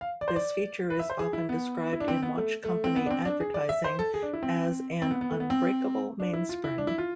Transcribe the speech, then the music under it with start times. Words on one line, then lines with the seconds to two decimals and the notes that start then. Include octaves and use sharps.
This feature is often described in watch company advertising as an "unbreakable mainspring".
0.01 F5
0.21 D5
0.28 C5
0.36 D5
0.90 B4
0.99 E5
1.10 C5
1.19 G#4
1.33 E4
1.49 B3
1.93 E4
2.00 D4
2.08 C4
2.22 B3
2.37 A3
2.65 A3
2.84 C4
2.96 B3
3.06 D4
3.10 C4
3.25 D4
3.40 G#4
3.54 D5
3.69 E5
3.84 C5
3.99 A4
4.14 G#4
4.22 D4
4.33 E4
4.43 C4
5.02 C4
5.11 B3
5.21 B3
5.31 A3
5.40 B3
5.50 C4
6.20 D4
6.33 E4
6.49 F4
6.64 E4
6.78 D4
6.87 E4
6.98 F4